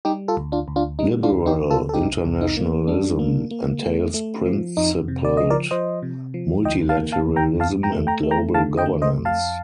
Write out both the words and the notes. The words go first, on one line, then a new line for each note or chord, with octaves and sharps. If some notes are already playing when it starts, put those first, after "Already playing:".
Liberal internationalism entails principled multilateralism and global governance.
G3 D#4 G4
F4 A4
D2
D4 F4
D2
D4 F4
G3 D#4
D4 F4
D2
D#4 G4
D2
F4 A4
A4
C2 D#4 G4
C2
D#4
A#3
G3 D4
A#3
A#3
A3
A3
F3
F2 D#4
C3
D5
F3 D#5
A#4 D5
F3 C5 D#5
C3
F3
D2 D#5 G5
F5 A5
A#3
F5 A5
D2
G5 A#5
F2 F5 A5
G5 A#5
A3
G5 A#5
A3
G5 A#5
D3 F5 A5
D#5 G5
A3
C5 D#5
F2
F5 A5